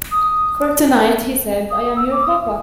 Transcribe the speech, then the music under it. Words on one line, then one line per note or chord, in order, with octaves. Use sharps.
"For tonight," he said, "I am your papa!"
D#6
D#6
E6
D6
D#6